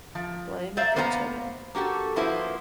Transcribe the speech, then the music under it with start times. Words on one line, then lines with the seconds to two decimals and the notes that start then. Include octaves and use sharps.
Lion had three children.
0.15 F3
0.77 C5 D5 E5 F5 A#5
0.96 A#3 B3 C5 F5 A5 A#5
1.75 A#3 F#4 G4 A4
2.16 F3 A#3 E4 F#4 B4 C5